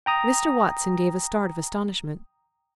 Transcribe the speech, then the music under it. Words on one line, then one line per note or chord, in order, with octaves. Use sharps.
Mr. Watson gave a start of astonishment.
G5 A#5 D#6